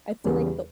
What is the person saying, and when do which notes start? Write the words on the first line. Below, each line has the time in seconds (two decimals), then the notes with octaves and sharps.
I feel like the
0.24 E2 C#3 G3